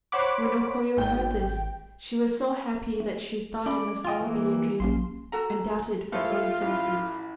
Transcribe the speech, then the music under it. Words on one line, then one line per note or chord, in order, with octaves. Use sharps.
When O Koyo heard this, she was so happy that she thought it must all be a dream, and doubted her own senses.
C5 C#5 F#5 B5 D6
G#1 G5
A3
C#4 D5 B5
F4 D#5 G5 C6
E3 A#3
A#1 A#3 C#4 C6
F#4 A4 A#5
F3 A3 E4 F4 A4
A1 E4